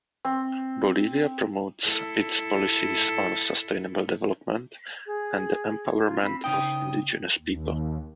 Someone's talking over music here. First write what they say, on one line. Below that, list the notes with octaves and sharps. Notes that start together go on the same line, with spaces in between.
Bolivia promotes its policies on sustainable development and the empowerment of indigenous people.
C4
E4 A4
G#4
F4
C4 B5
C#3 D#4 G5 D#6
D#2